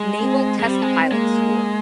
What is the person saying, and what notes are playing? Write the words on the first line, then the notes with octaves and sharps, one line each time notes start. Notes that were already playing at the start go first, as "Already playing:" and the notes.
Naval Test Pilot School.
Already playing: G#3
C4
G#3
G3 C4
G#3
G#3 A#3